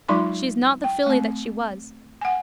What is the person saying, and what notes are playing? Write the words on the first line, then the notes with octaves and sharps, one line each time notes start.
She is not the filly that she was.
F#3 G#3 D#4 F4 C6 C#6
G5
A3 C4
F#5 G#5